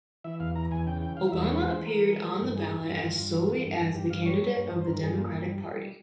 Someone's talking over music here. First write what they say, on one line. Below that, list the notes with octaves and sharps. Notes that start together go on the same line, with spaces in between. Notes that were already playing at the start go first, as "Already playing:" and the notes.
Obama appeared on the ballot as solely as the candidate of the Democratic Party.
E3 E5
E2 F5
E3 A#5
E2 G#5
C#3 G5
E3 G5
E3 F5
E2 E5
G#3 C#5
E3 C5
E3
A#4
E3
G#3
E3
G2
E3 G#4
E3
F4
G2
G2
G2
E3
E3
G2
G2
G2 G4
G2 F5
G3 C#5
A#3
G2
G2
C5
G2 A#4
G2 G#4
A#3 F4
G2
G3
G3